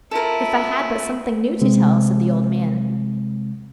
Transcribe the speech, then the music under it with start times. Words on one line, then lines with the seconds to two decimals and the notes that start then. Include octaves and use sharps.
"If I had but something new to tell," said the old man.
0.11 E4 F4 A4 A#4
1.61 C3 G#3 C4